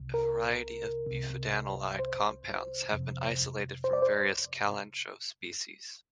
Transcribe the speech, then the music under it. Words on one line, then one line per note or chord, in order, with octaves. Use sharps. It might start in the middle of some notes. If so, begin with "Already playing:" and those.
A variety of bufadienolide compounds have been isolated from various "Kalanchoe" species.
Already playing: C2 C3
A#4
C2 C3
C5
F2 C3
C5
D5
C5